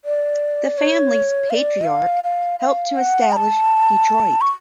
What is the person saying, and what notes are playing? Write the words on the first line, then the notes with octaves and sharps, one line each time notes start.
The family's patriarch helped to establish Detroit.
D5
C#5
F5
D5
F5
F5
F5
F#5
B5
A5
C#6